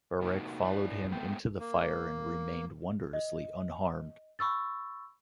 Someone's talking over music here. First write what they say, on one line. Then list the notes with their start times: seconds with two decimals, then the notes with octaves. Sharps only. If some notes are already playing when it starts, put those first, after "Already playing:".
Barek followed him into the fire and remained wondrously unharmed.
0.21 C3 A#3 D#4 F#4
0.64 D4 E4 D5
1.08 G#2 G#3 A3 B3 G5
1.60 A#3
3.13 D#5
4.39 B5 C#6 E6 A6